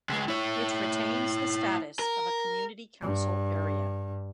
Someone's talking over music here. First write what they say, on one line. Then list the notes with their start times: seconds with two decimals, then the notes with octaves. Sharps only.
It retains the status of a community council area.
0.09 C#2 G#3
0.28 E4 C#5
1.99 A#4
3.02 G2